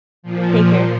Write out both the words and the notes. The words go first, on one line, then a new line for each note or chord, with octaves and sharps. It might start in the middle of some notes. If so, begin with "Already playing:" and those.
Take care.
A#2 F3